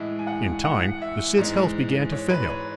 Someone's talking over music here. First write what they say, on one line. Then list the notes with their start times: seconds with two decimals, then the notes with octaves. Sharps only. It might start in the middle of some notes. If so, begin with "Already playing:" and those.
In time the Cid's health began to fail.
Already playing: A2 E3 G#3 E5
0.19 G#5
0.27 F#5
0.64 F#5
1.02 E5
1.38 G#2 E3 G#3
2.12 C#5
2.31 B4
2.50 C#5